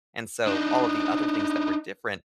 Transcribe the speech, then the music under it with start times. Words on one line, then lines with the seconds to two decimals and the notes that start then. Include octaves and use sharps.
and so all of the other things that were different
0.47 D4 D#4